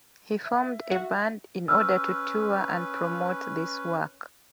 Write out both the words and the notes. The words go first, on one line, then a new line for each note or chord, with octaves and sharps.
He formed a band in order to tour and promote this work.
E5
F#4
C#4 B4 E6 F6